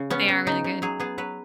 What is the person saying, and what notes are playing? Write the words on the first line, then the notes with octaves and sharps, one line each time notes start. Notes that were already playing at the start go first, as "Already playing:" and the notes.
They are really good.
Already playing: C#3
B3 C#4
C#3
C#3 D#4
C#3
F#3 G#4
B3 G#4
F#3 B4